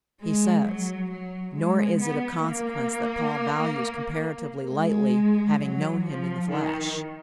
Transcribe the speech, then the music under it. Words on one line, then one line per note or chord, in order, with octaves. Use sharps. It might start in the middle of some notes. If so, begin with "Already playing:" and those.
He says: "Nor is it of consequence that Paul values comparatively lightly, having known him in the flesh."
G#3
F#3
F#3
G#3
B3
A#3
G#3
F#3
F3
D#3